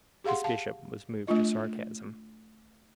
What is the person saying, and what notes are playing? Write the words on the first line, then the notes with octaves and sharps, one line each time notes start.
Miss Bishop was moved to sarcasm.
G4 G#4 F5 F#5 C6
F5 A5
A3 D4 F4 D#5